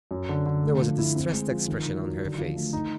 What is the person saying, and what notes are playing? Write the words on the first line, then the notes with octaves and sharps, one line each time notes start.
There was a distressed expression on her face.
F#2
D3
D3
A3
F3
E4
C4
G#3
F3
D#3
D#3
F#3
D3
F3
A3
D#4